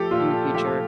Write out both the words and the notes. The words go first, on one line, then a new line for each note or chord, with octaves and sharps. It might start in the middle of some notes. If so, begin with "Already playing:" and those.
in the future,
Already playing: F3 A3 G4 A4
A#2 F4
F3 A3 G4
A4